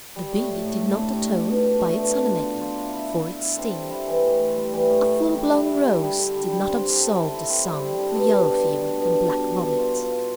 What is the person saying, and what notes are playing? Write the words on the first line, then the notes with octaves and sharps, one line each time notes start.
The bee did not atone, by its honey-making, for its sting; a full-blown rose did not absolve the sun for yellow fever and black vomit.
G3
A2
A2
A2
D4
G3
A2
A2
B2
D4
A3
B2
D4
F4
F4
F4
E4
E4
E4
E4
A4
C4
G3
E4
E3
A2
A2
G3
E3
A2
A2
G3
G3
E4
D3
G3
G3
D3
D3
G3
C4
A4
A4
E4
E4
C4
G3
G3
D4
B2
D4
B2
B2
D4
B2
D4
B2
D4
B2
F4
B2
F4